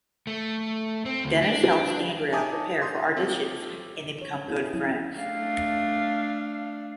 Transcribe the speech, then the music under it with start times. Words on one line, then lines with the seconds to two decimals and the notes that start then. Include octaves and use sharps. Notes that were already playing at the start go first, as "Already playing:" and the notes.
Dennis helps Andrea prepare for auditions and they become good friends.
0.27 A3
1.06 C4
1.24 D2
1.42 D4
2.32 D#4 C#5 G#5 A5 D6 D#6
2.82 C6 D#6 G6
3.16 C4 F4 G4 A4 C#5
4.22 C#5
4.48 B3 E4 G#4
4.73 F3 F#3 C#4 E4
5.17 A3 D4 F5